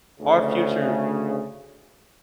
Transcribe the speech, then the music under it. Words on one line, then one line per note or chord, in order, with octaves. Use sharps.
Our future
D2 C#3